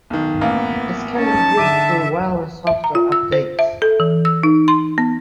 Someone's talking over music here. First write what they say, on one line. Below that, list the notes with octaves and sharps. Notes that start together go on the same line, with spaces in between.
This can be used through wireless software updates.
B1 D#3
A1 A#3 B3
C#4 D#4 A5
D3 E5 D6 D7 D#7
E5
A#5
F4
E6
C5
E5
A4
E3
E6
D#4
C6
B3